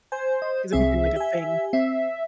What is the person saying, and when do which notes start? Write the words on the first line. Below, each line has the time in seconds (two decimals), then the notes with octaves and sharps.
'Cause it became like a thing.
0.12 C5 G#5
0.42 D#5
0.72 C2 C4 G#4 E5
1.16 G4 G#5
1.73 C4 E5